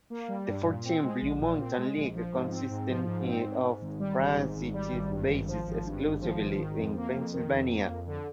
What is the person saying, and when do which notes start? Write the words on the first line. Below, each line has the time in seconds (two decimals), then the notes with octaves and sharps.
The four–team Blue Mountain League consisted of franchises based exclusively in Pennsylvania.
0.10 A#3
0.28 G3
0.48 G2
0.65 A#2
0.84 C4
1.03 G#3
1.21 A#1
1.40 A#2
1.59 C4
1.77 G#3
1.96 A#1
2.14 F3
2.33 G#2
2.51 C4
2.70 G#2
2.89 F3
3.06 G#2
3.26 C4
3.44 G#2
3.63 G#2
3.81 G#1
4.00 G3
4.17 G#1
4.36 G#2
4.55 G#1
4.73 G3
4.92 G#1
5.10 G2
5.28 G#1
5.48 F3
5.66 G#1
5.85 G2
6.04 G#1
6.21 F3
6.40 G#1
6.59 D#3
6.78 F2
6.96 A#3
7.14 F2
7.33 D#3
7.51 F2
7.70 A#3
7.88 F2
8.07 D3